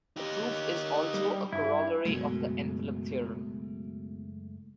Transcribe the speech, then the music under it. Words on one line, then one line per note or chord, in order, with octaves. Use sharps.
The proof is also a corollary of the envelope theorem.
D#4 G4
G3
G2 E4
F#1 F#2 B2 G#3 A3